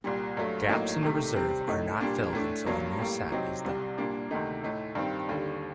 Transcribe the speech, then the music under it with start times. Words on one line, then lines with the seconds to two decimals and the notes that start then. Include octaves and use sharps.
Gaps in the reserve are not filled until a new set is dealt.
0.04 C2 A#2 G3
0.37 G2 F#3 A3
0.69 A2 F#3 A#3 D#4
1.03 C3 D#3 A3
1.35 C3 G3 C4
1.68 A2 A3 D#4
2.01 A#2 G3 A#3 D4
2.33 A2 A3 D4
2.67 G2 F#3 A#3
2.99 A2 G3 A#3
3.32 C3 F#3 C4 D#4
3.65 C2 C3 G3
3.98 A#2 G3 A#3 D4
4.31 D2 C3 D#3 A3 D#4
4.63 A2 A3 D#4
4.95 G2 D#3 G3 C4
5.29 D#2 D3 G3